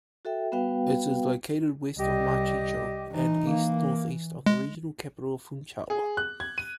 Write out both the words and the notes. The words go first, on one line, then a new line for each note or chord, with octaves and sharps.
It is located west of Machico and east-northeast of the regional capital of Funchal.
F#4 A4 E5 G5
G3 B3 F#4 B4 F5 G5
C2 G3 G4 D#5
E3 D#4
E3 A#3
G#3
G#4
F#6
G#6
D#7